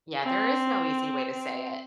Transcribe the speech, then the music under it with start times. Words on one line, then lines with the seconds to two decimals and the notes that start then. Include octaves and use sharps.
Yeah, there is no easy way to say it.
0.23 C4
1.32 C4